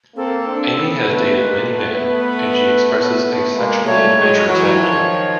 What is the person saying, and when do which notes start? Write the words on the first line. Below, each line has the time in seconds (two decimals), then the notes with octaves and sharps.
Amy has dated many men, and she expresses a sexually adventurous attitude.
0.16 A#3 C4 A4
0.47 C4 D4
0.77 B3 C#4
1.08 A3 B3 B4
1.39 G#3 A#3
1.69 A3 B3
2.00 A3 B3
2.93 A3 B3
3.24 A3 B3
3.55 G#3 A#3
3.86 G3 A3 C#5
4.17 F#3 G#3
4.48 E3 F#3
4.78 D#3 F3